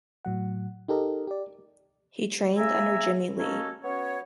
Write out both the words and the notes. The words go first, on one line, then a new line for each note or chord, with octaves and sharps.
He trained under Jimmie Lee.
A2 F#3 F#5
D#4 G4 A4 A#4 D#5
G4 D5
C#3 A#3 E5 G#5 A#5 E6
A#3 C#4 F#4 A4 C#5 D#5
B3 C#4 F#4 C#5